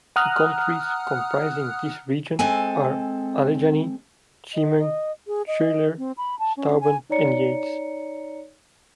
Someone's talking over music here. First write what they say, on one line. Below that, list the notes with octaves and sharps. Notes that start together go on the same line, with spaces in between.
The counties comprising this region are Allegany, Chemung, Schuyler, Steuben, and Yates.
F#5 A#5 D#6 F6 F#6
G#3 C4 A4 G#5
D#5
D#5
G#4
D#5
C4
B5
A5
C#4
G#5
D#4 C#5 D5 A#5 C#7